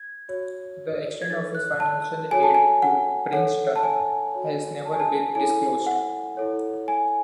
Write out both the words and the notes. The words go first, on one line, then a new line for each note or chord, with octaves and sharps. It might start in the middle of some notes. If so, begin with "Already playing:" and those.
The extent of his financial aid to Princeton has never been disclosed.
Already playing: G#6
F#4 C#5
G#6
D#4 A4 C#5 A6
F#6
A5
F#4 A4 C#5 G#5
A5
G#5
F#5
D#4 A4 C#5 F#5
A5
G#5
F#4 C#5
A5
G#5
A5
E4 A4 C#5 G#5
F#5
E4 A4 C#5
G#5